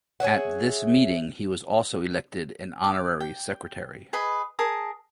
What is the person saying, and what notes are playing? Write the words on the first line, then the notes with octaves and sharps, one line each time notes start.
At this meeting he was also elected an honorary Secretary.
G#4 C#5 E5 F#5
D6
G5
G#4 B4 D#5 B5
G#4 A#4 A5 D#6